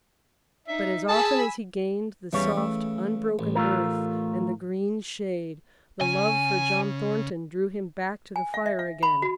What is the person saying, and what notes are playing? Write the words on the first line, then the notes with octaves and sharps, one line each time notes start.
But as often as he gained the soft unbroken earth and the green shade, the love for John Thornton drew him back to the fire again.
D#4 E5
G#4 G#5 A5 B5 E6
E2 C#3 E3 G3 C#5
A3
A1
A3 F4 A#4
C#3 G#5
G#5
F5
E5
F5
B5
F#4